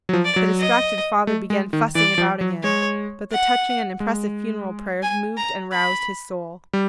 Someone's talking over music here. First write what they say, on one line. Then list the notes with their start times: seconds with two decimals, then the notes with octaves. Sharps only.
The distracted father began fussing about again, but the touching and impressive funeral prayers moved and roused his soul.
0.09 F#3
0.13 F3
0.25 D5
0.36 F#3
0.59 D#5
1.27 A3
1.50 G#3
1.73 D#3
1.95 E3 D5
2.18 F3
2.41 F#3
2.63 G#3 C#5
3.32 F#5
4.00 G#3
5.03 G#5
5.37 A#5
5.71 B5
6.73 G3